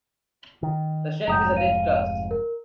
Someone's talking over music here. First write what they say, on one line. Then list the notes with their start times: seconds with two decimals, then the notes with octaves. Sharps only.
The shape is a dead crust.
0.63 D#3
1.27 F1 F2 G#2 A#5 D#6 G6
1.56 F5 D#7
2.31 A#4